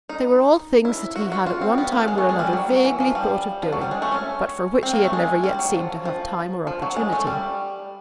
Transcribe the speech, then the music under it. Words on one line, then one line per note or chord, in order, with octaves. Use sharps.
They were all things that he had at one time or another vaguely thought of doing, but for which he had never yet seemed to have time or opportunity.
D#4
E4
F#4
F#4
F4
C4
B3
A#3
G#3
A3
G#3
G3
F#3
F#3
E3
F3
G3
F3
F#3
G3
G#3
A3
C#4
C4
A#3
A3
G#3
G3
F#3
F3
F3
F3
F#3
G#3
A3
G3